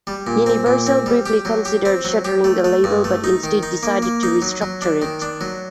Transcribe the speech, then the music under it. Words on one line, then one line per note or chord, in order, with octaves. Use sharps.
Universal briefly considered shuttering the label, but instead decided to restructure it.
G3
A#2
C4
A#2
C4
G3
G4
F#3
G4
C4
F#3
G4
A3
A3
G2
A3
D#4
D#3
D#4
A#3
A#3
D#4
F#3
F#3
D4
D#3
D4
F#3